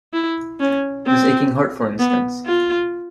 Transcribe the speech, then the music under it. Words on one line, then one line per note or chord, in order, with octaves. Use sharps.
This aching heart, for instance.
E4
C#4
C4
B3
F4